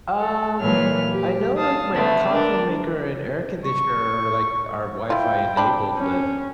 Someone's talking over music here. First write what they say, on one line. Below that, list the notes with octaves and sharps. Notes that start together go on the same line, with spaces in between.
Um, I know, like, my coffee maker and air conditioner are, like are Wi-Fi enabled, but
A4
A#2 E3 F#3 B4 C#5 F6
G4
F5 A5 D#6
D3 A3 B3
D4 A#4
C#6
E4 F4 G5
C4 D4 B5
C#4